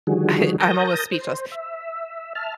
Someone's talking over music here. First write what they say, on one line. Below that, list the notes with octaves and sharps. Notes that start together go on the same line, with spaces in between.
I I'm almost speechless,
D3 D#3 F3 G3 F#4 G#4
A#4 A5 D#6 G6 A#6
C5
E5
E5 A5 F6